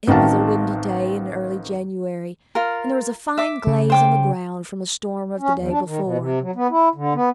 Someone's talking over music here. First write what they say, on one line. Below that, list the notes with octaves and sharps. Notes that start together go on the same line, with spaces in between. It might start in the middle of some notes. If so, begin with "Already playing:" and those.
It was a windy day in early January, and there was a fine glaze on the ground from a storm of the day before.
A1 D#3 C4 F#4 F5 A5
F4 A#4
E5 D6
C#3
C5 G5 D6
C#4
E2
D4
D#3
B2
C3
F#3
B3
E4
D3
B3